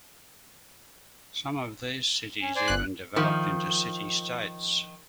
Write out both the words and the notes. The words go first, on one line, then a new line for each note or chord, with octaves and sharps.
Some of these cities even developed into city-states.
C#4
C5 D5 G#5
G1 F#6
D#3 F3